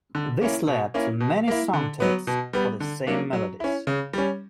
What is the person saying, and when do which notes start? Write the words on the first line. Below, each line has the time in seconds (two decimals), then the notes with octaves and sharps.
This led to many songtexts for the same melodies.
0.15 D3
0.41 A#3 C#4 E4
0.67 B2
0.94 A#3 C#4 E4
1.20 B2
1.48 A#3 E4
1.73 D3
2.00 F#3 B3
2.27 B2
2.53 G3 B3
2.80 D3
3.07 F#3 A#3 D4
3.33 F#3
3.60 C#4 E4
3.87 C#3
4.13 G3 C#4